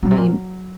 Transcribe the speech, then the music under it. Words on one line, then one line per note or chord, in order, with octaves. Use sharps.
I mean,
A#2 F#3
C3
A#2